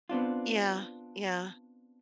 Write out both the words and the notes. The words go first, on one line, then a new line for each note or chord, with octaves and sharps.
Yeah, yeah.
B3 C4 D4 F4